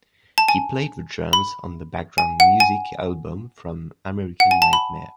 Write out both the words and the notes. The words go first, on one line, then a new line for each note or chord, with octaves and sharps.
He played the drums on the "Background Music" album from American Nightmare.
A5
G#5
B5
G#5
F#5
G#5
F#5
G#5
A5
B5